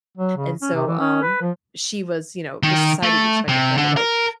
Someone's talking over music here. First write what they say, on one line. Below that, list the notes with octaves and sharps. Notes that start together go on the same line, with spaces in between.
And so, um, she was, you know the society expected her to, like,
F#3
C#3
C#4
C3
E3
C#4
B4
F3
D#3
A3
C3
D3
A#4